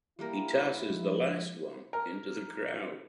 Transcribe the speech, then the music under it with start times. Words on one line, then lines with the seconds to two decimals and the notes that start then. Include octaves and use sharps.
He tosses the last one into the crowd.
0.19 G3 A#3 E4 A#4
0.90 F3 G#3
1.93 A#4